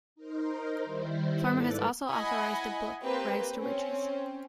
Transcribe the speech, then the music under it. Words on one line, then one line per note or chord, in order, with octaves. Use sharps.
Farmer has also authored a book, Rags to Riches.
D#4 A#4 C5
D#3 G3 E4 C5
G#2 A4 B4 D5 A6
E4 D#5 F#5 G#5 B5
A#3 C4 G4 B4
C4 C#4